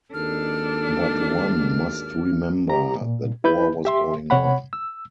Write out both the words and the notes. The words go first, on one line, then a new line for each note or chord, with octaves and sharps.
But one must remember that war was going on.
G#1 D#2 D4 A4 F6
G4 A#5
A#2
E4 B4 B5 G6
G4 E5 C6
C3 C#5 F#5 B5
E6